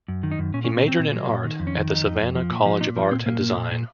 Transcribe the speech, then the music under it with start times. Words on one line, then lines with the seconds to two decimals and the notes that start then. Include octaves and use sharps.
He majored in art at the Savannah College of Art and Design.
0.08 F#2
0.23 D#3
0.31 D#4
0.39 F#2
0.54 A#2 C#4
0.64 C#4
0.68 A#2
0.77 C#4
0.84 F#3 C4
0.99 A#2
1.14 F#3
1.29 A#2
1.44 D#3
1.60 F2
1.67 C#4
1.75 D#3
1.89 F2 D#4
2.05 F2
2.21 F2
2.36 F3
2.50 A#2
2.66 F3
2.80 A#2 D#4
2.96 F3
3.11 A#2 C4
3.26 A#2 A#3
3.41 A#2
3.57 A#2
3.72 A#2